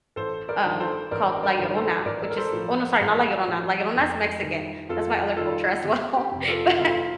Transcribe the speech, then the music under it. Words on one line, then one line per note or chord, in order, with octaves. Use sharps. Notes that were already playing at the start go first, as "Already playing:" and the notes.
um, called La Llorona, which is oh no, sorry, not La Llorona- La Llorona's Mexican, that's my other culture as well, but
A1 A4 C5
A#4 D5
G2 D#3
A4 C5
A1 A#4 D5
A#4 D5
G2 D#3
A4 C5
A1 A#4 D5
A4
A#4
A4 C5
A2 F3
A1
A2 F3
F2
D#3 G3
F2 F4 A4
D#3 G3 F4 A4
G1 G4
G4
F2 C3
F4 A4
G1 F4 A4